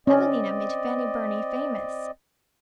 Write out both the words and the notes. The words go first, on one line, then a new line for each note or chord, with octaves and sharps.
"Evelina" made Fanny Burney famous.
C4 C#4 D5 D#5